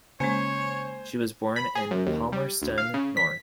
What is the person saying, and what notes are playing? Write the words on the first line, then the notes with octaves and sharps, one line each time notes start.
She was born in Palmerston North.
C#3 G#3 A#3 C5 C#5 G#5
B5
G#4
F#2
D#2
G3
D2
F5
C#3
B6